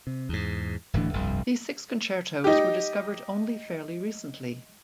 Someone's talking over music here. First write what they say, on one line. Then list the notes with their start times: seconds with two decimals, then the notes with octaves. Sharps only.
These six concertos were discovered only fairly recently.
0.07 C3
0.29 E2 G#2
0.93 D1 A2 E3 D4
1.13 F1 C2 G2
2.44 D#4 G4